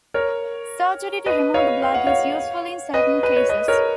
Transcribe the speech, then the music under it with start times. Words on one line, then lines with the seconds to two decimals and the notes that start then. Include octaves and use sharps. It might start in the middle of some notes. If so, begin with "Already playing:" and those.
Surgery to remove the blood is useful in certain cases.
0.14 A#4 C#5
1.26 B4 D#5
1.54 C#5 F5
1.82 F5
1.94 F#5
2.07 C#5 F5
2.94 B4 D#5
3.23 B4
3.36 C#5
3.49 B4 D#5
3.68 A#4 C#5